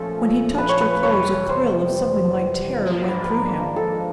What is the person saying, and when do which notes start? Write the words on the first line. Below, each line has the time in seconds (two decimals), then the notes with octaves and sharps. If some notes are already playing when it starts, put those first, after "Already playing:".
When he touched her clothes a thrill of something like terror went through him.
Already playing: A#2 F3 A3 C#4 A4
0.58 B4
0.69 C#5
0.81 B4
1.03 F2 C3 E3 G3 C#5
1.49 C5
2.85 G#2 F3 A#3 D4
3.08 B4
3.24 B4
3.30 A#4
3.76 A4